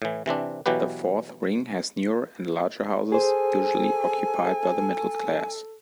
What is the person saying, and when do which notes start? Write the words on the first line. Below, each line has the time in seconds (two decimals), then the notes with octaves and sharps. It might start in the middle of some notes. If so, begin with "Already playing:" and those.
The fourth ring has newer and larger houses usually occupied by the middle-class.
0.02 A2 E3
0.26 C3 E3 C4 D4
0.66 B2 E3 F#3 G4 B4
3.12 G#4 A4 C5 G#5